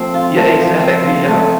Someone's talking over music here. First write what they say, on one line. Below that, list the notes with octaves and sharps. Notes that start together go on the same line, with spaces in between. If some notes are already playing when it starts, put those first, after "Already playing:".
Yeah, exactly, yeah,
Already playing: F3 A3 C4
F4
A3
F3
C4
F4
A3